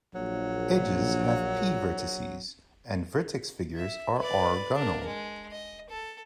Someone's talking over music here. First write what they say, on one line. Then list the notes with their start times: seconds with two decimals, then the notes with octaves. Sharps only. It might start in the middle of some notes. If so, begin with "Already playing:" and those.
Edges have "p" vertices, and vertex figures are "r"-gonal.
0.15 A#1 F#3
3.76 E5
4.18 B4 D5
4.75 D4 A#4
5.06 G#3
5.51 D#5
5.89 A4